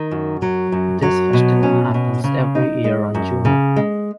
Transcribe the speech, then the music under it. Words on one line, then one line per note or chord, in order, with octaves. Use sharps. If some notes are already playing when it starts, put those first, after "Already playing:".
This festival happens every year on June.
Already playing: D#3
F#2
F#3
F#2
F#3
B2
C#4
B2
C#3
D#4
G#3
F#2
C#3
G#3